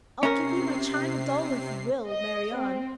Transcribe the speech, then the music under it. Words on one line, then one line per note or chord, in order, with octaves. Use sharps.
"I'll give you my china doll if you will, Marianne."
C3 C#4 A#4 C7
D#5
C4